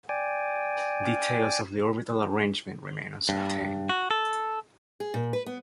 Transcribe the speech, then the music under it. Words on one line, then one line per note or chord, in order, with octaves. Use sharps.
Details of the orbital arrangement remain uncertain.
D5 G5 G#5
G2
F#4
A4
G#4
A#2
B4
B3